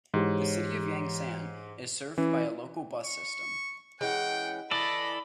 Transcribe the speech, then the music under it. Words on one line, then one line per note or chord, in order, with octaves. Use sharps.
The city of Yangsan is served by a local bus system.
G#2 E3 G4 C#5
E3 C#4
C#6
E3 G#3 C#4 F#5 G5
E3 A4 D5 D#5 B5